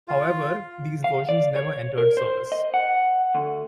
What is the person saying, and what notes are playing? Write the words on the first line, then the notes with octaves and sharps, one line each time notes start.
However, these versions never entered service.
F4
F5
D5
C#5
A#4
C5
D#5
F#5
D2